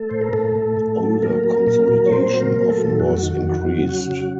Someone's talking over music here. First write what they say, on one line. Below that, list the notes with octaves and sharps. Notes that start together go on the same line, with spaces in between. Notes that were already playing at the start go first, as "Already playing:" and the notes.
Older consolidation often was increased.
Already playing: A3 A4
A2 C5
A#4
A2 A3 A4
A2
A2
F#3
F#3 A#3 A#4
F#3
A#2
F#3
C#5
A#2 C4 C5
F#3
A#3 A#4
A#2
A3 A4
F#3
F2 F#4
D#3
F2
F#3
C#3 F#4
F#3